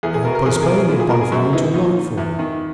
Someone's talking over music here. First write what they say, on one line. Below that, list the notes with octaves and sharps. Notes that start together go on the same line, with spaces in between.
I have postponed the bonfire until nightfall.
E2 G#4
G#4
B2 A#4
A#4
E2 G#4
A#4
G#4
B2 A#4
G#4
A#2 E4
G#4
A#4
G#4
F#2 F#4
E3 D#4
A#2 D#4
E2
D#3